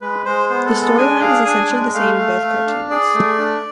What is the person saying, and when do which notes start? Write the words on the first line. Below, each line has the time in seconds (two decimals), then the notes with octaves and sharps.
The storyline is essentially the same in both cartoons.
0.01 G#3 B4
0.25 G#3 C5
0.49 B3 C5
0.66 A4
0.73 G#3
0.82 A4
0.98 D4 G#5
1.21 G#4 F5
1.45 D4 G#5
1.70 G#3
1.94 A3 F5
2.18 A3
2.42 A3
2.67 D4
2.90 G#4 D5
3.15 A3
3.38 D4